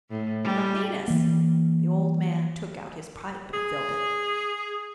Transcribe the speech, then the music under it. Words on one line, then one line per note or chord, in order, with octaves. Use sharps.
"From Venus." The old man took out his pipe and filled it.
A2
G3
E3 A#3
G#4